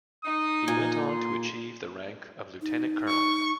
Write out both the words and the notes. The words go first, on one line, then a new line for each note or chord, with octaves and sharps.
He went on to achieve the rank of lieutenant-colonel.
D#4 D#6
A#2 G#5
C6
D#4
C#6